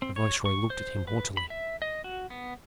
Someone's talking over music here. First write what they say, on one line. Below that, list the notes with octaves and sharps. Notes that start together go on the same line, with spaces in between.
The viceroy looked at him haughtily.
C4
C#5
C#6
C5
B4
B5
E5
D#5
F#4
B3